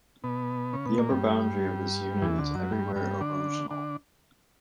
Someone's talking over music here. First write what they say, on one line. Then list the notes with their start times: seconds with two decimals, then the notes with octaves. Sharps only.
The upper boundary of this unit is everywhere erosional.
0.24 B2 B3
0.73 C#3 C#4
0.85 B2 B3
0.98 A#2 A#3
1.10 G2 G3
2.22 E2 E3
2.38 D2 D3
2.55 F#2 F#3
2.72 G2 G3
2.96 G2 G3
3.21 D3 D4
3.70 D3 D4